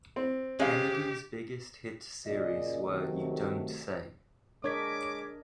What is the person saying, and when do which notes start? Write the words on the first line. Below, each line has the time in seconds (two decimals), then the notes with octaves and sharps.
Kennedy's biggest hit series were You Don't Say!
0.16 C4
0.60 G#3 C#4 G4 F5
2.25 F#2 A#2 C#3 D5 D#5
2.84 C3 D#3 F#3 A3
4.64 G#3 D4 A#4 C#5 D#5 D6 G#6 B6